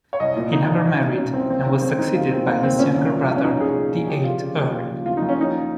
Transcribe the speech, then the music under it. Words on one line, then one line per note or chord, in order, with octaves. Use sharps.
He never married and was succeeded by his younger brother, the eighth Earl.
C#5
C2 D#5
A#2
C2 D#4
C2
C2
A#2
A#2 C#4
C2 C4
D#2 C4
D#3 C#4
D#2 C4
D#2 D#4
D#2 F4
D#3 C4
D#2 A#3
D#2 C4
A#2 C#4
C2
F3
C2
C#4
C2 D#4
C2 G#4
A#2
A#2
F3 G4
F3 F4
C#3
D#2
C#3
F3
D#2 F4
D#2 D#4
C#4
F3 D#4